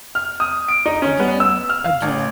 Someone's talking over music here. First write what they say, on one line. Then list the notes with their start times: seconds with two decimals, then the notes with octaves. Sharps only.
Again! again!
0.15 F6
0.40 D#6
0.68 D7
0.86 D#4
1.02 C#4
1.20 B3
1.40 E6
1.69 F6
1.84 F5
2.02 A1